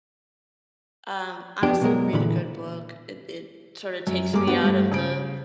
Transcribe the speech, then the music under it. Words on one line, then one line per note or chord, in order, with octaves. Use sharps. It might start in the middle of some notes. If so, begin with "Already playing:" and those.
um, honestly, read a good book. It it, sort of, takes me out of the
F2 B3 D4 G4
B2 F#3 G#3 A#4
A#2 D3 E3 B5
F#2
G2 G#3 A#3 G4 D6
G3 B3 D4 F#4
G2 G3 A3
C#3 D7